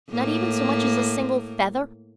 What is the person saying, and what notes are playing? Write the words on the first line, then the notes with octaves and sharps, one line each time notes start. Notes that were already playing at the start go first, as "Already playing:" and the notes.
"Not even so much as a single feather?"
A2 A#3